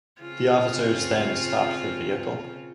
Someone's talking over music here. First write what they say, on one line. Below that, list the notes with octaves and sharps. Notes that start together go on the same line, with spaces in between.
The officers then stopped the vehicle.
C#3 C4 F4